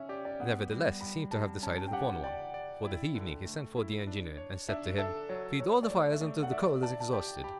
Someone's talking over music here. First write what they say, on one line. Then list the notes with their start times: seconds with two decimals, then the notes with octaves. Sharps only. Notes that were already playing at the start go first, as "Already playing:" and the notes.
Nevertheless he seemed to have decided upon one, for that evening he sent for the engineer, and said to him, "Feed all the fires until the coal is exhausted."
Already playing: C#4 C#5 E5
0.09 G4 D5
0.25 D5
0.40 B3 F#5
0.71 G3
1.01 G3 B5
1.31 G3 A5
1.62 C#4 A5
1.78 A5
1.88 G5
1.93 G4 F#5
2.08 F#5
2.23 D5 G5
2.54 D5
2.85 E4
3.15 D3
3.46 A3
3.77 E4
4.07 D4
4.38 C#5
4.69 D4 E5
4.98 A4 E5
5.29 F#3 C#5
5.60 F#3 C#5
5.83 D5
5.90 A3 C#5
6.12 E5
6.21 A3 D5
6.43 F#5
6.51 D5 E5
6.83 D5 A5
7.00 A5
7.13 G4 G5
7.44 G4 B5